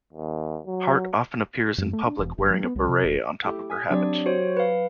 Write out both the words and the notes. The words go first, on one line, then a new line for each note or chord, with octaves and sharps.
Hart often appears in public wearing a beret on top of her habit.
D#2
F#3
F#2
A3
D4
E1
F#1
F#3
B3
C2
C3
E1
A3 E4 G4
G#5 D#6 B6
F#3 C4 D4 G4 D5
F#4 C5 C#5 C#7
B4 F5